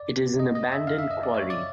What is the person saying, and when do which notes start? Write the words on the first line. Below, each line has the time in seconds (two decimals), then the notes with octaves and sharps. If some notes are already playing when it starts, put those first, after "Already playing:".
It is an abandoned Quarry.
Already playing: D5
0.39 D#5
0.55 D#5
0.72 E5
0.87 F5
0.99 E5
1.11 D#5
1.23 D5
1.34 C#5
1.50 D5